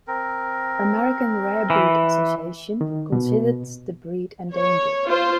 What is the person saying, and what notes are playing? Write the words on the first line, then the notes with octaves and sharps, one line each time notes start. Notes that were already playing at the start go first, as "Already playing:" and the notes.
American Rare Breed Association considers the breed endangered.
C4 A#4
E3
D#3
B2
C#5
F4 C5